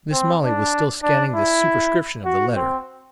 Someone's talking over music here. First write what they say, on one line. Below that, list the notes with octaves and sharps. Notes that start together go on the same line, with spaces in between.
Mis' Molly was still scanning the superscription of the letter.
C4
D4
D4
E4
F#4
C4